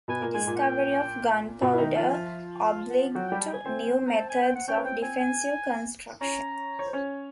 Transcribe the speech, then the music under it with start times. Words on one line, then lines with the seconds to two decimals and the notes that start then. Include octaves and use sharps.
The discovery of gunpowder obliged to new methods of defensive construction.
0.08 B2 B3 G#5
0.21 A#2 A#3
0.34 G#2 G#3 G#5
0.47 A#2 A#3
0.56 F#5
0.59 G5
1.62 B2 B3 F#5
1.71 E4 F5
1.78 D#3 D#4 E5
1.89 D#5
1.95 F3 F4 E5
2.13 F3 F4
2.64 F5
2.90 F#5
3.15 F#3 F#4 G5
3.28 G5
3.32 G3 G4
3.40 A5
3.48 G5
3.53 G#5
3.66 C4 C5
4.07 A#5
4.17 A5
4.30 G#5
4.42 G5
4.55 F#5
4.68 C#4 C#5 G5
4.77 B4
4.84 C4 C5 G5
5.01 C4 C5 G#5
5.19 G#5
6.21 C#4 C#5 A#5
6.79 C#5
6.86 C5
6.93 C#4 C#5